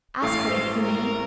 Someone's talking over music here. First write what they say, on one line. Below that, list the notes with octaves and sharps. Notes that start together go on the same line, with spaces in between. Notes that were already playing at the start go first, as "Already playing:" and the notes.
"Ask her if you may."
A1 A2 A3 F5
C5
A#4